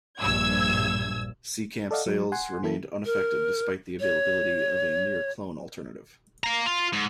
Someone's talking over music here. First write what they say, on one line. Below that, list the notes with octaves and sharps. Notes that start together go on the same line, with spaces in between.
Seecamp sales remained unaffected despite the availability of a near clone alternative.
A#1 G2 E6 G#6
A4 D5 D#5 F5 F#5
F#3
F#5 G#5 C6
E3 A#3 E4 A4
A#4
C#5
F5 A#5
F4
G#2